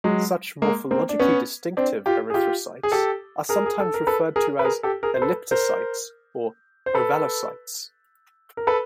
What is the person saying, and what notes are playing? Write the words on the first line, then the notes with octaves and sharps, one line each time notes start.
Such morphologically distinctive erythrocytes are sometimes referred to as elliptocytes or ovalocytes.
F#3 G#3
G#3 A#3
A#3 C4
D4
B3 C#4
C4 D4
F4 G4
G#4
F4 G4
G#4
G4 A4
G#4 A#4
G#4
A4
A#4
A4 B4
G#4 A#4
B4
G#4 A#4
G4 A4
G#4 A#4
C5
A4 B4
A#4 C5
C5
A4 B4
A#4
A4 B4